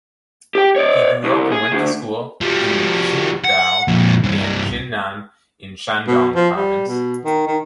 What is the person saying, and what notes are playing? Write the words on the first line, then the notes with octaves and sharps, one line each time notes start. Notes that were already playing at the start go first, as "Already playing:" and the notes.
He grew up and went to school in Qingdao and Jinan in Shandong province.
G4 G5
C#5 D5
C2
G#4
D2
F3 G3
F#5
F2 A#2
C2 G2
B2
F3
G3
B2
D#3
D#3